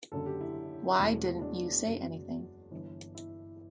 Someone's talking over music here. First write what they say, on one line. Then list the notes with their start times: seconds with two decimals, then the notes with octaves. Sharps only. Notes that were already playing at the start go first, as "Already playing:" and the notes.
Why didn’t you say anything?
0.12 F#1 F#2 D3 A4
0.26 G4
0.41 E4
0.98 E1 E2 B2 A3
1.41 D4
1.85 F#1 F#2 F#3
2.71 G1 G2 E3
3.15 E4